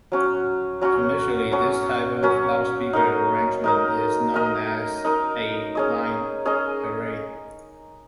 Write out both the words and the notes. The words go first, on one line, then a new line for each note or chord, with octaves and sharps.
Commercially, this type of loudspeaker arrangement is known as a line array.
F#3 C#4 F#4
F#3 C#4 F#4
F#3 C#4 F#4
F#3 C#4 F#4
D#4 A#4 D#5
D#4 A#4 D#5
D#4 A#4 D#5
D#4 A#4 D#5
C#4 G#4 D#5
C#4 G#4 D#5